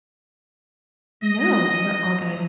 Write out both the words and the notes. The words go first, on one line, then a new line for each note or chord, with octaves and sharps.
No, you were all good.
D#5